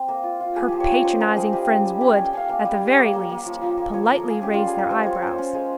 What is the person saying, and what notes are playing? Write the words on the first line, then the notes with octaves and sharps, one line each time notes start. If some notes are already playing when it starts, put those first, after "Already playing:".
Her patronizing friends would, at the very least, politely raise their eyebrows.
Already playing: C4
A#3
F4
F4
A#3 G#4
F3 G4
C#5
C#4 D#5
D#4 C5
D#4 A#4
D#4 G#4
G3 G4
C#4
G3
C#4 G4
C#4 C#5
G5
C#4 F5
A#3 F5
G3
G3
D#5
A#3 C#5
A#3
A#3
F3
F3
A#3
F3 C#5
F3 A#4
A#4
F3 G#4
C#4 G4
G3 F4
G#4
F4 A#4
G3 C5
F4 C#5
C#5
C#4
C5
C#4
G#3